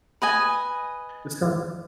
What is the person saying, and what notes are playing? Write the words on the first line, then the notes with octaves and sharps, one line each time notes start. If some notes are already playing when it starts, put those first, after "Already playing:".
it's got
B4 D#5 G#5